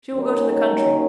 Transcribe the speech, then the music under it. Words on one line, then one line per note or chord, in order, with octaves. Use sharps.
"She will go to the country."
D#2 D#3 F#3 C#4